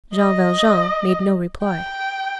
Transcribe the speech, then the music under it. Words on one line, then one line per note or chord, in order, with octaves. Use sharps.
Jean Valjean made no reply.
D#5
G5